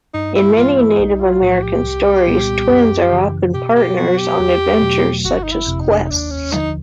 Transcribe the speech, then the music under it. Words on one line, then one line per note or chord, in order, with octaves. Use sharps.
In many Native American stories, twins are often partners on adventures such as quests.
G2 D#4
E4
E3 G#3 B3 F4
E4
B1 D#4
F4
A2 F3 F#4
G4
C2
A#2 G3 B3
F#2
C#3 E3
B2 G4
G4
F#3 B3 F#4
G4
E2
B2 F#3 A3
G1 F#4
D#4
E4
F2 C3
D#4
D4
D#4
D#2 D4
C#4
D3 F3 D#4